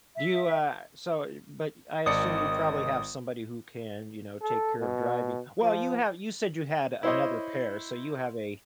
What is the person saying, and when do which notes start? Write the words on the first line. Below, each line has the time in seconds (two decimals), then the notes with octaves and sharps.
Do you, uh so but I assume you probably have somebody who can, you know, take care of driving. Well, you have you said you had another pair, so you have a
0.15 E5
2.06 G#1 D#3 D5 D#6 C#7
4.41 A4
4.80 B2
5.62 F3
7.03 E4 C5 C#5 D#5